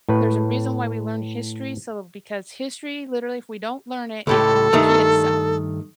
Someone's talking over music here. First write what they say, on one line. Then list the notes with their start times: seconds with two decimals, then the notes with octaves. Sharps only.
there's a reason why we learn history, so because history literally if we don't learn it, it can repeat itself,
0.09 A2 B4
4.27 C#2 A2 G4 A4
4.73 G2 D#3 A3